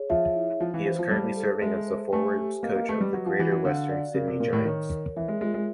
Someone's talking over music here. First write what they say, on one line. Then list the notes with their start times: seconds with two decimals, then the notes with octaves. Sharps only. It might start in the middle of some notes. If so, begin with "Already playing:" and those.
He is currently serving as the forwards coach of the Greater Western Sydney Giants.
Already playing: G#4 C#5
0.10 F3 E5
0.36 E4
0.60 F3 F5
0.74 E3
0.85 E3 C5
0.99 F3
1.11 G3 A5
1.36 A4
1.62 G#3 E5
1.87 C5
2.12 A3 G#5
2.38 G4
2.63 A#3 D#5
2.75 A#3
2.88 A3 B4
3.01 G3
3.13 F#3 F#5
3.26 F3
3.39 E3 F#4
3.52 E3
3.65 D3 F5
3.90 D5
4.14 C#3 A#4
4.27 C3
4.40 A#2 A#4
4.53 A2
4.65 D#3 C#5
4.91 A#4
5.16 E3 E5
5.28 G#3
5.41 G#3 F4
5.54 G#3